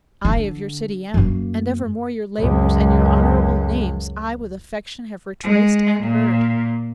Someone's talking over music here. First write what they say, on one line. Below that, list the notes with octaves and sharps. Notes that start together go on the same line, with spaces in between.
I of your city am; and evermore Your labours and your honourable names I with affection have retraced and heard.
D3
F#2 A#3
C#2 F#2
G#3
A#2